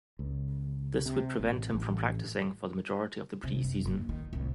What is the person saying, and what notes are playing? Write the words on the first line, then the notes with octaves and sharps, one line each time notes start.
This would prevent him from practicing for the majority of the preseason.
C#2
C3
A1
A1
C3
F#2
F#1 G2
D#3
C2 A2